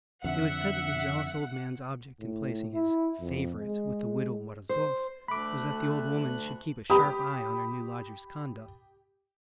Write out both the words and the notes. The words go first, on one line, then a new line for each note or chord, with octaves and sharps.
It was said that the jealous old man's object in placing his "favorite" with the widow Morozov was that the old woman should keep a sharp eye on her new lodger's conduct.
F2 D3 E5 F#5
A2
E4
F2
G#3
C5
D2 A3 B5 D6 F#6
G4 B5 D#6